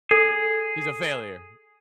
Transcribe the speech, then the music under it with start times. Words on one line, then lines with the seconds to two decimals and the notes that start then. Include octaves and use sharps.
He's a failure,
0.11 G#4 A4